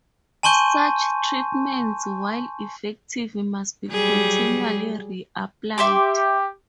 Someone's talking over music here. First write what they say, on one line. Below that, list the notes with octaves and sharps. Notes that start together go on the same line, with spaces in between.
Such treatments, while effective, must be continually reapplied.
G#5 A5 C6 C#6 G6 D#7
F#3 G3 G#4
G4 E5 C6 D6